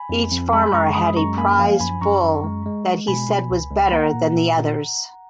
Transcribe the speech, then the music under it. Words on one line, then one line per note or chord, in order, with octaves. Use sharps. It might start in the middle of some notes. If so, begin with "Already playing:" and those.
Each farmer had a prized bull that he said was better than the other's.
Already playing: G#5 B5
F2
F2
G#3 G#5 B5
B5
F#2 A#5 C#6
G#3 B5 D#6
F#2 A#5 C#6
A#3 G#5 B5
F3 F5 G#5
F#2 G#5 B5
F#2 A#5 C#6
F#2
G#3
G#3
G#3
B2 G#5 B5
B2
C#2
C#2
B5
A#3 F#5 A#5
A#2
A#2
A#2